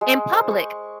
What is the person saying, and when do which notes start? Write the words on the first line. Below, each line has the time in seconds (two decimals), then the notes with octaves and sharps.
In public.
0.01 G#3
0.32 C5
0.51 C#6